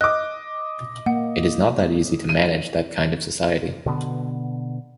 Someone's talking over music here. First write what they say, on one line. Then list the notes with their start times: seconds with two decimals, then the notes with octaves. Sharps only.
It is not that easy to manage that kind of society.
0.01 D#5 D6 F#6
1.06 A#3 F#5
2.29 D#7
3.86 B2 D3 B3